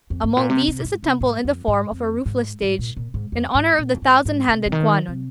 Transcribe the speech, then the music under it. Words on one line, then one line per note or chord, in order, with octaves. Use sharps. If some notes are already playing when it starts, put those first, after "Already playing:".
Among these is a temple in the form of a roofless stage, in honour of the thousand-handed Kwannon.
F2
G#2
A#2
C3
C3
A#2
G#2
C3
G#2
F2
G#2
F2
G#2
G#2
A#2
A#2
G#2
F2
G#2
A#2
F2
G#2
G#2
C3
C3
D#3
C3